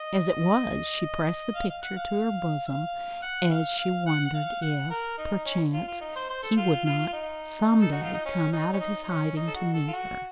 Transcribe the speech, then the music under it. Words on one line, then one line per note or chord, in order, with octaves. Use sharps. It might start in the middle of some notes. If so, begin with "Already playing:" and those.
As it was, she pressed the picture to her bosom as she wondered if, perchance, he would not some day come out of his hiding to meet her.
Already playing: D#5
F5
F5
F#5
F5
F5
F#5
F5
F5
F#5
F#5
F5
F#5
A#4
D#4
C#4
F4
F4
D#4
C5
C5
A4
F4
F4
F4
D#4
A4
F#4
F4
D#4
C#4
D#4
C#4
D#4
D#4
C#4
D#4
A4
F#4
A4
F4
F#4